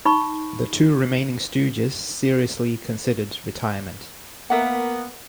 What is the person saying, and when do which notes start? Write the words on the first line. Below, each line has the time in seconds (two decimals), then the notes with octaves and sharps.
The two remaining Stooges seriously considered retirement.
0.05 D#4 B5 C#6
4.50 A#3 B3 A#4 E5 F#5